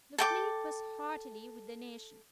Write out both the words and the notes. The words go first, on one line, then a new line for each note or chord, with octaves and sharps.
The fleet was heartily with the nation.
A4 G5 D6